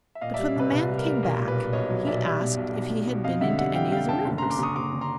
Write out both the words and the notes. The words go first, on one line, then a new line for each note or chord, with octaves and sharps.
But when the man came back, he asked if he had been into any of the rooms.
E5
A#2 D#5 F5
G3 D5 E5
C2 B4
C2 B4
G3
A#4
G3
B1 A#4
A#2
B4
A#2
B1 C#5 D#5
F#3
B1 D5 E5
G3
B2
B1
B1
B1
B2
F2 D#5 F5
D3 E5 F#5
G3 E5 F#5
G3 F5 G5
D3 F5 G5
D3 G5 A5
F#1
F#1 A#5 C6
C6 D6
F#1 C#6 D#6
F#1 C6 D6
D3
A#5 C6